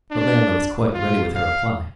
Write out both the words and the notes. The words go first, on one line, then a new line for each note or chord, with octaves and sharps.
But Layelah was quite ready with her reply.
D4
F4
F5